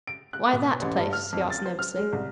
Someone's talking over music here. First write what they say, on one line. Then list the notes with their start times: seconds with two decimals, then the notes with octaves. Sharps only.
"Why that place?" he asked nervously.
0.07 D7
0.33 F#6
0.53 B2
0.82 A1
0.96 G2
1.13 F6
1.32 F2
1.50 A6
1.65 C5
1.79 F6
1.97 G#3
2.13 C2